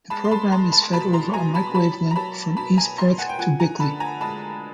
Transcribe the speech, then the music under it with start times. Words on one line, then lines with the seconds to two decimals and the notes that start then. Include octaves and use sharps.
The programme is fed over a microwave link from East Perth to Bickley.
0.10 G#3 A5 B5
0.24 C6
0.31 A5 B5
0.52 G#3 A#5 C6
0.72 A5 B5
0.92 B2 A5 B5
1.13 A#5 C6
1.33 B2 G#5 A#5
1.54 A5 B5
1.75 F#3 A5 B5
2.11 A#5
2.16 F#3 A5 B5
2.57 B2 A5 B5
2.77 G#5 A#5
2.98 B2 A#5 C6
3.18 F#5 G#5
3.29 G5
3.38 F3 F#5 G#5
3.60 G#5 A#5
3.80 D3 A5 B5
4.00 G#5 A#5
4.21 G#3 A5 B5